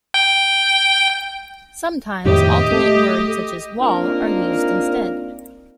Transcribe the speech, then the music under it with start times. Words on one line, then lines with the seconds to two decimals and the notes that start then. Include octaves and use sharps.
Sometimes alternate words, such as "wall," are used instead.
0.14 G5
2.25 F2 A2 D#3 G4 D#5
2.72 A3
3.80 A#3 C4 D4 D#4 F4 A#4